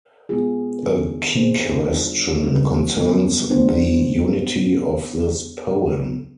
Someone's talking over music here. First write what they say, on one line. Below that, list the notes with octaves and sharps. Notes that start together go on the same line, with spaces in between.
A key question concerns the unity of this poem.
B2 G#3 B3 F4 G#4
D#3 B3 D4
B3 D#4 G#4 C5
D3 G3 D4 F4
G3 C4 D#4 G4
D3 G3 B3 F4
B3 D4 F4 C5